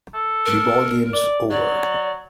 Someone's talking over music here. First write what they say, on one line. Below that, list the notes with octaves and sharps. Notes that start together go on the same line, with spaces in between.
The Ball Game's over!
A4
A#4
D5
F#3 D5